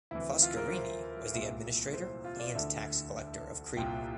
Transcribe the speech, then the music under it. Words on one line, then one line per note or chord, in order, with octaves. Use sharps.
Foscarini was the administrator and Tax collector of Crete.
D2 C3 E3 E4
F4
A#4
C5
C2 A#2 E5
C5
F4
D5
D2 D3 E5
C2 A#2 G5